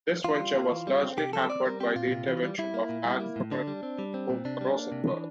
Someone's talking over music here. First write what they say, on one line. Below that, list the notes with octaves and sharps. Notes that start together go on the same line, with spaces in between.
This venture was largely hampered by the intervention of Alfred Rosenberg.
E3 F4
G3
A#3
E3
G3
C4
C3 G4
F3 A4
C4 D5
G3 A#4
C4 G4
A#2 F4
C3
E3
G3
G3 E4
A#3
A#2
G3
A#3
A2
D3 D4
G3
C4
G3
C4
A#2
C3 D4
G3
A#3
C3
E3